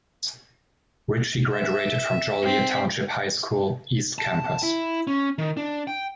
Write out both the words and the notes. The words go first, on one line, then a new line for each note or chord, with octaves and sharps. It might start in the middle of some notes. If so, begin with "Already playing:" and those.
Richie graduated from Joliet Township High School, East Campus.
E5
C4 B6
A5
E4
C#4
D#3
D4
G5